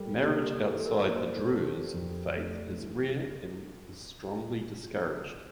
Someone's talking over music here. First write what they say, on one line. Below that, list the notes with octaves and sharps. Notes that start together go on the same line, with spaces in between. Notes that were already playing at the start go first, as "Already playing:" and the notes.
Marriage outside the Druze faith is rare and is strongly discouraged.
Already playing: G3 A4 A#4
A#3 G4
G4
E3 A4
A4
A#4
C5
A#3 A#4
A4
D4
G4
F2
A3
E3